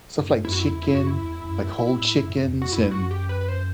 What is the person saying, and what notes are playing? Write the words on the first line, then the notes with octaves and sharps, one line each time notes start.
stuff like chicken, like whole chickens and
G2
F#2 E4
F#4
E4
E2
G2 E4
F#2 F#4
E4
E2
E2
F#2
A2
G2
A2
G2
E2
F#4
F#2 E4
G2
F#4
F#2
G4
B4
B4
C5